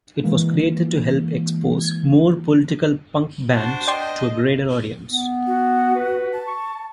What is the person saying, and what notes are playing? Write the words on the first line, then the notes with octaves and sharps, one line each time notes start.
It was created to help expose more political punk bands to a greater audience.
E3 G#3 A#3
D4 F#4 C5 A5
D5 D#5 G5 C6
B3
F#4
B4
A5
C#6